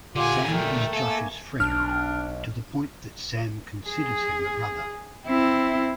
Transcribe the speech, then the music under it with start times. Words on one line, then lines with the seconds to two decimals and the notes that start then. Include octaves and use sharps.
Sam is Josh's friend, to the point that Sam considers him a brother.
0.16 A#2 D3 F4 G4 F#5 G#5
0.52 A3 A#4 G5
0.93 A#3 A4 G#5
1.60 B1 D4 F6
3.88 G#4
5.26 C4 E4